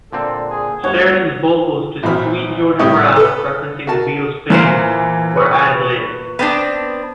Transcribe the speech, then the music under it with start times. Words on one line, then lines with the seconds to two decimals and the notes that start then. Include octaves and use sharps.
Sheridan's vocals to "Sweet Georgia Brown", referencing the Beatles' fame, were added later.
0.13 A#2 D3 C4 A4
0.50 G#4
0.84 G1 D2 C#5 F#5
2.03 A#1 E3 F#3 C4 B5 F6
2.79 C2 A2 G4 C#5 D#6
3.16 A4 B4
3.87 F#4 A#4 A5
4.50 E2 A#2 E3 C5
5.36 B4 C#6
6.39 B3 C4 D4